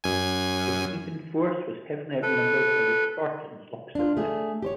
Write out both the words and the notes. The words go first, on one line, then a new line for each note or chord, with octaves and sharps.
The Theban force was heavily outnumbered by the Spartans opposite them.
F#2 G#5
A4 B4
D4 F4
A3 G#4
G4 C5 C#5